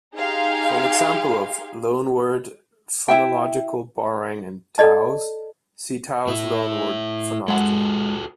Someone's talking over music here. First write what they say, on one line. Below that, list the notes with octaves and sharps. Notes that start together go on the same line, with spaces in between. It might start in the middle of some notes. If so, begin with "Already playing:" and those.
For an example of loanword phonological borrowing in Taos, see Taos loanword phonology.
D#4 G4 G#4 F5 C6
E4 E5 G5
A4 D5 D#5 A5
A3 E4
G#3 F#4 G#4 A4 F#5